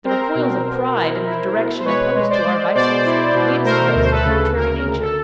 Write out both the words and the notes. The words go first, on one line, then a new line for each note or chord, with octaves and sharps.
The recoils of pride in the direction opposed to our vices lead us to those of a contrary nature.
C4 A#4 C5
B2
B2
E4
E4
B2
C5
G#3 B4 C#5
G#3
C5 D5
G#3
B2 C5 D5
E4
B2
A3 A#4 C5
D2
C5
A4 B4
C#3
D2 A#4
D2
A4